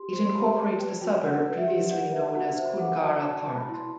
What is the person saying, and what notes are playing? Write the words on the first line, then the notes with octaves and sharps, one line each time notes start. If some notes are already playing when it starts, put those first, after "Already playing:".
It incorporates the suburb previously known as Koongarra Park.
Already playing: G4 C6
C5 C6
C6
G4 B5
D5 A5
B4 G5
F#4 G5
D5 F#5
B4
E5
G4
D5 F#5
B4 E5
F#4 F#5
C5 E5
A4 F#5
F#4 A5
D5 A5
A5
B4
B5
E4
C6